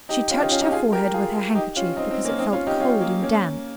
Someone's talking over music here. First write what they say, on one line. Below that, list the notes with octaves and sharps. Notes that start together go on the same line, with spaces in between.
She touched her forehead with her handkerchief because it felt cold and damp.
D#4 G4
C#4 F4
D#4 G4
C#4 F4
D#4 G4
F4 G#4
G4 A#4
F4 G#4
D#4 G4
C#4 F4
C4 D#4
C4 D#4
A#3 C#4
C4 D#4
C#4 F4
D#4 G4
C#4 F4
A#3 C#4
A#3 C#4